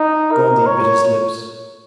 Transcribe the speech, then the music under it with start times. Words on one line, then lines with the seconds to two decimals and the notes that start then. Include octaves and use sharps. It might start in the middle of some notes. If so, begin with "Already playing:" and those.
Gondy bit his lips.
Already playing: D#4
0.32 A#4
0.66 C#5